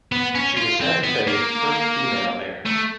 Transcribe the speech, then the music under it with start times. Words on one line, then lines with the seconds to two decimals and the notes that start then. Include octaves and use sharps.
She was Santa Fe's first female mayor.
0.12 B3
0.35 C#4
0.57 F4
0.81 C4
1.04 B3
1.27 A#3
2.66 A3